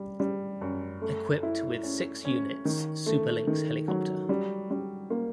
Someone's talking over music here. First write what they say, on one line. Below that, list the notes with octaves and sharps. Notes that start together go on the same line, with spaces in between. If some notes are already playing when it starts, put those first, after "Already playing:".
Equipped with six units Super Lynx helicopter.
Already playing: G3
G3
F#2
A3
E4
C#4
C#4
D#3
A3
D#3
F#3
G3
G3
A#3